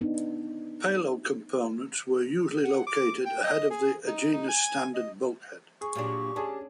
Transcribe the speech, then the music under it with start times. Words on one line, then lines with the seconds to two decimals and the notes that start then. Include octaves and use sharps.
Payload components were usually located ahead of the Agena's standard bulkhead.
0.01 B3 D4 D#4
2.64 F#5
2.87 D6
3.25 G5
3.44 D#5
3.71 G#4
4.07 D#4
4.33 D#4
4.48 G#5
4.94 D#5
5.81 G#4 C#6
5.95 A#2 F#3 D4 G4
6.36 C#4 D4 G#4 A5